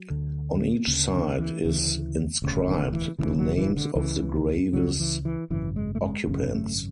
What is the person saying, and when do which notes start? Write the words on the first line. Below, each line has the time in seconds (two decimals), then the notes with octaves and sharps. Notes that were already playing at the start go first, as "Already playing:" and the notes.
On each side is inscribed the names of the grave's occupants.
Already playing: F#3
0.10 D2 D3
0.87 D2 C#3
1.13 D3
1.39 E3
1.64 D2 C#3 E3
2.42 E1 D2 C#3
2.67 D3
2.93 E3
3.19 E1 D2 C#3 E3
3.39 F#3
3.58 E3
3.77 D3
3.95 C#2 C#3 E3
4.73 C#2 C#3 F#3
4.99 E3
5.25 E3
5.50 G#1 F#2 C#3 E3
5.76 G#3
5.95 A3
6.02 G#3
6.28 G#1 F#2 C#3 C#4
6.54 A3